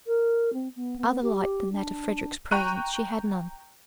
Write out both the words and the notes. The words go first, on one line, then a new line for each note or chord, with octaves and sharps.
Other light than that of Frederick's presence she had none.
A#4
C4
B3
B3
G4
D4
G5 A#5 C#6 F#6 D#7